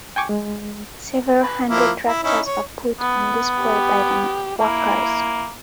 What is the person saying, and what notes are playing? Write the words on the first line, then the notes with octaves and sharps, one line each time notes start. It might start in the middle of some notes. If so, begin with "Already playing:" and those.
Several hundred tractors are put on display by the workers.
G5 G#5 C#6 D6
G#3
B4
F3 A#3 E4
E4
C#4 D#4 E4
C#5
B3
G4
A#3 E4